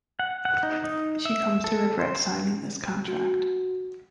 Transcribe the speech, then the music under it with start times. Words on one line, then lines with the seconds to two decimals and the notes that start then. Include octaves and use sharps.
She comes to regret signing this contract.
0.19 F#5
0.45 F#5
0.63 D#4
0.84 D#4
1.25 E5
1.64 A4
1.99 C5
3.08 F#4